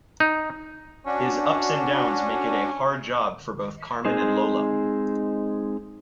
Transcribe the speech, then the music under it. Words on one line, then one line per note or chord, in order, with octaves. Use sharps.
His ups and downs make it a hard job for both Carmen and Lola.
D#4
C#4 D4 F#4
G#3 C4 D#4 G#4 C5